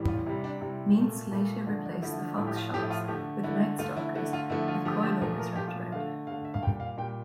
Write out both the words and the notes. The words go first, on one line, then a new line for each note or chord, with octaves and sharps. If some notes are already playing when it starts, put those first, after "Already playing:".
Meents later replaced the Fox shocks with Knight Stalkers with coil-overs wrapped around it.
Already playing: A2 E3 G3
F4
C3 G3 E4
D4
C3 G3 E4
A#2 A3
A#2 A3
D3 F3 A3 D4
D4
D3 F3 A3 E4
D4
A2 F3 A3 E4
G4
F4
A2 F3 A3 G4
E4
F4
D3 A3 G4
D3 A3 E4
D3 A3 F4
E4
D3 A3 E4
F4
D3 F3 A3 E4
F4
D3 F3 A3 G4
G4
A#2 F3 A3 A#4
A#4
A#2 F3 A3 G4
F4
E5
D3 A3 F5
D3 A3 F5
E5
F5
A#2 G3 G5
F5
A#2 G3 G5